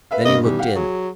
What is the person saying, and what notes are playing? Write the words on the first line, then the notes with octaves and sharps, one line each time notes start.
Then he looked in.
B4 E5 F5
G2 A#3 D#5
B2 D#3 E3 G3
G4 F5 F#5
F#3 G#4